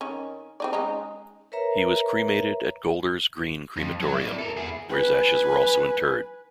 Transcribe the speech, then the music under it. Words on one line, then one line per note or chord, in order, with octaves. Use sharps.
He was cremated at Golders Green Crematorium, where his ashes were also interred.
D#3 C#4
C4 D#4 D5
G#3 C#4 D#4
A#4 B4 C#5 E5 A#5
F2
F#3
E4 D5
A4 A#4
E4 G#4
B4 G#5